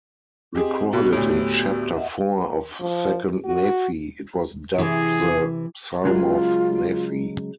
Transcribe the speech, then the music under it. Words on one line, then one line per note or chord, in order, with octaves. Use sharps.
Recorded in chapter four of Second Nephi, it was dubbed the "Psalm of Nephi".
C4 G4 G#4 D#5
B2 B3 F#4 G4
D2 A2
D#5 E5 F#5
F3
F#4
C3 E3 G#4
C#3 F#3 G#3 F4